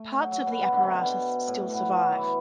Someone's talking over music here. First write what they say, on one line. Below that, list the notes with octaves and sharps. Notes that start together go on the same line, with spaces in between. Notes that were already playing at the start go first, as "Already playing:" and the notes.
Parts of the apparatus still survive.
Already playing: A3
F#3
F#3
B2
B2
D3
C3
B2
B2
A2
B2
F#3
E3